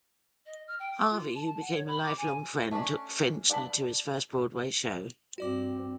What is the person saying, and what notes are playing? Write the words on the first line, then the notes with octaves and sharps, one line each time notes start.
Harvey, who became a lifelong friend, took Fichtner to his first Broadway show.
D#5
F6
G5
D6
F4
A5
A5
F#5
C#5
B5
D6
G#5
A3 C#4 D4 D5
D5 F#5 G5 A5 B5
G2 C4 F#4 D5 D6